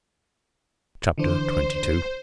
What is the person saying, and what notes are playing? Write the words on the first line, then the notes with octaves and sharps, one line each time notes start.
Chapter XXII.
D3 E3 D4 C5